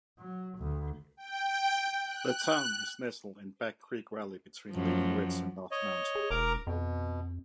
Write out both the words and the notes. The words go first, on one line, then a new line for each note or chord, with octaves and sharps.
The town is nestled in Back Creek Valley between Leading Ridge and North Mountain.
F#3
D2
G5
F#6
F#2 F3
C#5 D#5
G#4
E1 A#4 A#5 D6
F2 B2